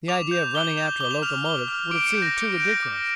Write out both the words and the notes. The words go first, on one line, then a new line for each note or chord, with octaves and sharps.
The idea of running after a locomotive would have seemed too ridiculous.
D6 F7
G6 F7
D6 G7
G6 F7
D6 G7
F7
F6 F7
D6 G7
F6
D6 D7
C#7
G6
A#6
D6 C#7
D7
G6
A#6
D6